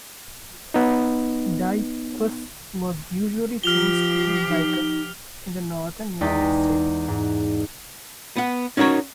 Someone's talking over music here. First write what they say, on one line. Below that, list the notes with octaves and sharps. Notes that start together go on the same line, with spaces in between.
"Deicws" was usually changed to "Dicus" in the northern United States.
B3 D#4
F3 F4 G4 F6 F7 G7
D#4
E2 G#3 D#4 D5 G5 B6
G#2
B3 F#5
C#4 D#4 F#4 A#4 C#5